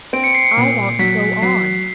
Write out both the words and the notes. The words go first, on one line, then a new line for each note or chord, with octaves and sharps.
"I want to go on."
C4 D7
C#7
C7
C#7
A#2
F#3 B6
F#3 C7